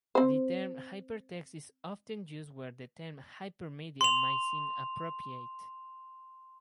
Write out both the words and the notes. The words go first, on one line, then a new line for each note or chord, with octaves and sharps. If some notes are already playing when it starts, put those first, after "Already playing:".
The term "hypertext" is often used where the term "hypermedia" might seem appropriate.
C4 C5
C6 F7